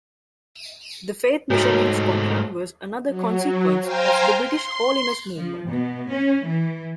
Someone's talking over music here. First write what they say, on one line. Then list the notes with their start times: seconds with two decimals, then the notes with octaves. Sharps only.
The Faith Mission in Scotland was another consequence of the British Holiness movement.
1.50 G#2 A3 F#4 C#5 A5
3.07 F#3
3.80 C5 F5 G5 G#5 A#5 C6
4.42 C6
5.37 F3
5.69 B2
6.10 C#4
6.46 E3